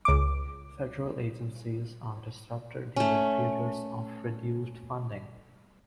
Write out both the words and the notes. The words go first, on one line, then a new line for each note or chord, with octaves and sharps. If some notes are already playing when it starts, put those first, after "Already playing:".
Federal agencies are disrupted during periods of reduced funding.
C#2 D6
A3 C#4